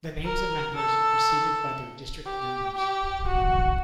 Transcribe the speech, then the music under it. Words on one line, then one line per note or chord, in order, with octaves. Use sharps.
The names of members are preceded by their district numbers.
A#4
A4
G4
G4
F#4